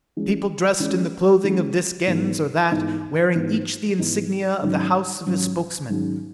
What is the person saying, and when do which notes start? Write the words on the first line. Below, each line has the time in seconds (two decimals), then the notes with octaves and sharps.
People dressed in the clothing of this Gens or that, wearing each the insignia of the house of his Spokesman.
0.17 E3 G#3 C#4
0.80 E3 G#3 C#4
1.44 E3 G#3 C#4
2.07 G#2 E3 B3 D#4
2.71 G#2 E3 B3 D#4
3.35 G#2 E3 B3 D#4
3.98 G#2 E3 B3 D#4
4.62 G#2 D#3 F#3 C#4
5.26 G#2 D#3 F#3 C#4
5.89 G#2 D#3 F#3 C#4